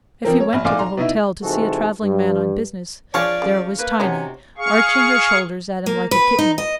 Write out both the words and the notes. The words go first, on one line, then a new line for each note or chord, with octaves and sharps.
If he went to the hotel to see a traveling man on business, there was Tiny, arching her shoulders at him like a kitten.
F3 A#3 C4 A#4
C#5
A#1 B5
B1 A2 D5 F5 C6 D6
A#5 C6
B2 D#4 E4
G#2 C3 E3 F#4 G#4 A4
G2
F3 D4 G#4 C#5 D5 F5 C#6
C#3
A#3 B4
C3 F#3 A3 C#4 D#4
G#4 F5 C#6
A#3
B4
D#4
D#5